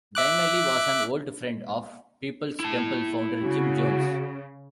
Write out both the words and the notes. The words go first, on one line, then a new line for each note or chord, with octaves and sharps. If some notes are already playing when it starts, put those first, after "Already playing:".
Dymally was an old friend of Peoples Temple founder Jim Jones.
E5 D6 F#6
E4 A5
C#3 F#4